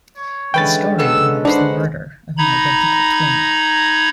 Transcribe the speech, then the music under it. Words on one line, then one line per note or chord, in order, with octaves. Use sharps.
The story involves the murder of an identical twin.
C#5
D3 E3 G#3 C#4 B4 G5 A6
A#3 B3 A4 E6
D4 D#4 B4 C5 F#5
D#4 A#5 B5 G#6